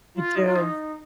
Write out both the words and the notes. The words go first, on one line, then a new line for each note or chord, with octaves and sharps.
I do.
F4
D#4
F4
D#4